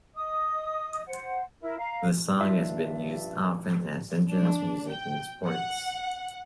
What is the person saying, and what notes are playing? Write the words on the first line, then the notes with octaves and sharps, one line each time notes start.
The song has been used often as entrance music in sports.
D#5 D#6
C5 F#5
E4 A#4
F5 A#5
G2 F3 D4 D#4 F4 E5
D4
G5
F#5